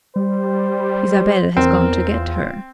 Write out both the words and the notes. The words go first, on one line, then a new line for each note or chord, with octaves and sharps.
Isabel has gone to get her.
G3 C5
E2 C4 A#4
F4